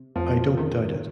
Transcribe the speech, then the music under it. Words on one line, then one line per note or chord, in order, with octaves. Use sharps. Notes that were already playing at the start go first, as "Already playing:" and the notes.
I don’t doubt it.
Already playing: C3
F2 F3
C3 D#3